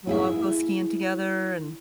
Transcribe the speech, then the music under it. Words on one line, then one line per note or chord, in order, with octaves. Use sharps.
we'll all go skiing together and
E4 G#4 E5